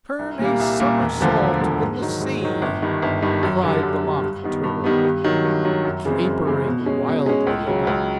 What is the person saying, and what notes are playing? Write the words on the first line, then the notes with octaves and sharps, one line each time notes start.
'Turn a somersault in the sea!' cried the Mock Turtle, capering wildly about.
C2
A#2 G3 A#3
C2
A#2 G3 A#3
E1
D2 D3 F3
E1
D2 D3 F3
G#2
D#3 F#3
G#2
D#3 F#3
G1
G2 D#3
G1
G2 D#3
F#2
D3 G3
F#2
D3 G3
G2
D#3 G3 B3
G2
D#3 G3 B3
G2
D#3 F#3
G2
D#3 F#3
F#2
C#3 E3 G#3 C4
F#2
C#3 E3 G#3 C4
B2
G#3 C#4
B2
G#3 C#4
C#2
C#3 F#3
C#2